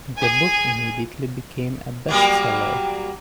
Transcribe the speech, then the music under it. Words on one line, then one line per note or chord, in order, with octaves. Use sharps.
The book immediately became a best-seller.
G#4 G#5
F#3 G3 A#3